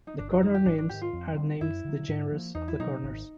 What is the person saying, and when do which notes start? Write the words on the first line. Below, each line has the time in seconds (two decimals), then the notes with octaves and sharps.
The corner names are named the genres of the corners.
0.07 D#4
0.18 G1 D4
0.31 D4
0.42 F2 C#3 E3 D#4
0.54 G4
0.66 G#1 D4
0.78 D4
0.89 G#2 D#3 G4
1.01 F4
1.13 F2
1.37 D3 G3 C4
1.61 F#2 E4
1.84 D3 F#3
2.08 G#2
2.31 F3 A#3
2.54 E2 D#4
2.68 E4
2.79 B2 F#3 B3 D#4
3.03 G#1